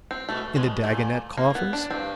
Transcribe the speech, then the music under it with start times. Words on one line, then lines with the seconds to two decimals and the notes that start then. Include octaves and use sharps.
In the Dagonet coffers?
0.11 C4
0.29 B2 A3
0.56 B2 G#3
0.83 A#2 A3
1.37 A#3
1.55 B3
1.73 D4
1.90 G2 C4